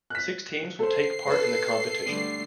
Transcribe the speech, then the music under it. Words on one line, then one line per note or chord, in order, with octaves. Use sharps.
Six teams will take part in the competition.
F#6 B6
A4 C5 C7
A4 B4
D3 G3 A3